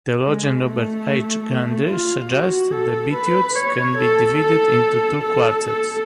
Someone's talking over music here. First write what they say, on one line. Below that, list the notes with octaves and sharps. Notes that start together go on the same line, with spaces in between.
Theologian Robert H. Gundry suggests the Beatitudes can be divided into two quartets.
G#3
A3
F4
F#4
A4
B4
C#5
A4
A4
A4
A4